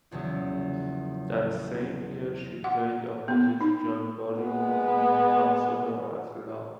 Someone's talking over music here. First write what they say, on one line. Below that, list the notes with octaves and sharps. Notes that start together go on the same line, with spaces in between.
That same year she played opposite John Barrymore in "Counsellor at Law".
A#1 E2 C#3 F#3
F#5
B3
D#4
G#3 B3